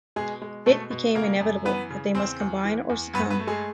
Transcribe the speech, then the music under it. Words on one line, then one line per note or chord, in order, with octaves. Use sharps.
It became inevitable that they must combine or succumb.
B2 G#3 G#4
G#3
B2 A3 A4
B2
C#3 A#3 A#4
F#2
E3 B3 B4
C#3
E2 C4 C5
E2
E3
E2
G2 B3 B4
B3 B4
A3
G#3 G#4